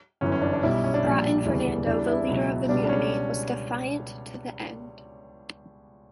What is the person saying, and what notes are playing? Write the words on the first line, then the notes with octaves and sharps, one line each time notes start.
Gratien Fernando, the leader of the mutiny, was defiant to the end.
G1 F#2 E3 C#4
C#4
D4
D4
B1 B2 G3 E4
C#4
D4
A#1 A#2 G3
E1 D2 C#3 E3 G3
E2 C#3 E3 G3 D4
E4
C#2 B2 F#3
C#2 B2 G3 D4
D4
C#4